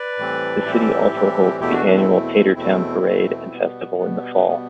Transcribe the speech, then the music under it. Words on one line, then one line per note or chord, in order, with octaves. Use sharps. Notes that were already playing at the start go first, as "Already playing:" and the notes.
The city also holds the annual Tater Town Parade and festival in the fall.
Already playing: B4 D5
A2 E3 G3 C4
A2 E3 G3 C4 E4 G4
A2 E3 G3 C4
E2 B2 A3 E4 G4
D4 F#4
D4
C4 E4
E2 B2 A3
E2 B2 A3 C4 E4
E2 B2 A3
B2 G3 B3
B2 G3 B3
B2 G3 B3